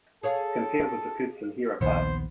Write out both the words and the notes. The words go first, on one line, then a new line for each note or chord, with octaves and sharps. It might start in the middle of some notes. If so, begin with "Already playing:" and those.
Compare with the kutsinhira part.
G#4 A4 C#5 F5
A#1 D#2 B3 C5